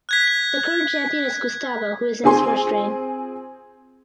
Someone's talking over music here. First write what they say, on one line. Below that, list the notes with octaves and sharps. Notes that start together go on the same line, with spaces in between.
The current champion is Gustavo who is in his first reign.
F#6 G#6 B6
C4 F4 G#4 G#5 C6